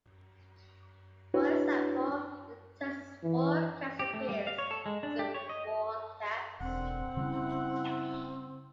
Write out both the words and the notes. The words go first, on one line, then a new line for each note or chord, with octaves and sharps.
For example, the "Text in small caps" appears as in small caps.
D4 E4 F#4 B4 C#5
E3
G4
A3
G3
F5
C#5
A4
G#3
D4
G4
C#5
D#5
E1 D#2 D3 C4 F#5
C#3 G3 E4